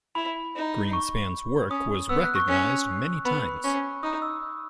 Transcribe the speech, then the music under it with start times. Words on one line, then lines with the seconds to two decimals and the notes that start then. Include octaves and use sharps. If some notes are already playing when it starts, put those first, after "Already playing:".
Greenspan's work was recognized many times.
0.15 E4 B5
0.55 D#4
0.93 C#6
1.70 C#4 D#6
2.09 B3 E6
2.22 F#6
2.36 C#6
2.47 C#4
3.25 B3 B5
3.64 C#4 C#6
4.03 D#4 D#6
4.22 E6